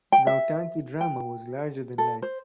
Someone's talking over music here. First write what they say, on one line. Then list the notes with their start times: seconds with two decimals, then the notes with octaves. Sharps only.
Nautanki drama was larger than life.
0.12 G5
0.27 E5
1.01 G5
1.98 A4
2.22 C5